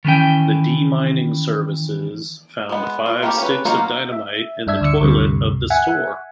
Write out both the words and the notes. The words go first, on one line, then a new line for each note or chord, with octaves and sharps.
The demining services found five sticks of dynamite in the toilet of the store.
D#3 E3 C#4 G5
G#3 B3
F4
A3 A#3 C4 E4 G4
C#4 B4
F#3 A#3 C#4 D#4 F4
E5
G2 D4 E5 G#6
D2 E6 C#7
D2 G2 C3
E5 F#5 G#5